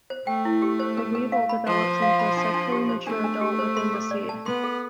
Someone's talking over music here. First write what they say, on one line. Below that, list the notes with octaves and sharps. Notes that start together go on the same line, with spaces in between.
The weevil develops into a sexually mature adult within the seed.
C5
A3 G5
E4
G4
C5
B4
B4
F5
B5
F3 B4
B4
F5
B5
D4
D4
G4
C5
A3 D4
D4
G4
C5
C6
A4
D5
A5
B3 C6
A4